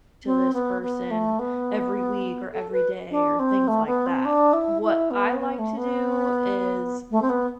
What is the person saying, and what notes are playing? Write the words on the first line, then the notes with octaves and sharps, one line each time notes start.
to this person every week or every day or things like that," what I like to do is,
C4
B3
B3
A3
B3
A4
B4
D4
C4
A3
B3
C4
D4
E4
E4
B3
B3
A3
B3
A3
C4
B3